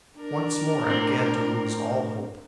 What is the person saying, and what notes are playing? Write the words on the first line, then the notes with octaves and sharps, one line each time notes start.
Once more I began to lose all hope.
D4 A#4
A2 C4